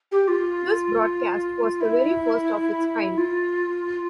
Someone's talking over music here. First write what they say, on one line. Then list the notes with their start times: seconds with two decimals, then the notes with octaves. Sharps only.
This broadcast was the very first of its kind.
0.11 G4
0.27 F4
1.80 E4
3.17 F4